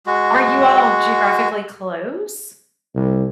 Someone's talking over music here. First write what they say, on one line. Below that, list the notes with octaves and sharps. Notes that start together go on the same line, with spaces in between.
Are you all geographically close?
G#3 F#4
C2